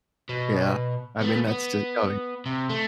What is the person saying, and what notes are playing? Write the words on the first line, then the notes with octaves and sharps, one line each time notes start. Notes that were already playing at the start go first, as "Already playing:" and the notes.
Yeah, I mean, that's just oh y
B2
A3 B3
B3
C3
A3